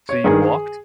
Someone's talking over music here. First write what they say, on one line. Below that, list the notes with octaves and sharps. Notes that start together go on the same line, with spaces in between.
So, you walked?
C#5
G2 D#3 G#4